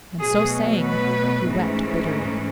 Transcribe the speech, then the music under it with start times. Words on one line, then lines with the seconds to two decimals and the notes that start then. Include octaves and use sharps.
And so saying he wept bitterly.
0.20 B2 F#3 A3 G#4
0.83 B4
1.46 G#2 E3 A3 C#4